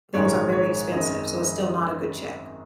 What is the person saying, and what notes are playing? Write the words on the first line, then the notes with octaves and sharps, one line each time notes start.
things are very expensive. So, it's still not a good check.
A#1 G#2 D#3 G#3 C#5
C#5
G#1 F#2 D#3 G#3 D#5